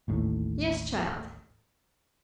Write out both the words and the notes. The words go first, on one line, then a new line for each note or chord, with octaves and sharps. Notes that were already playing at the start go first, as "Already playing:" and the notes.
Yes, child.
A1 D#2 A2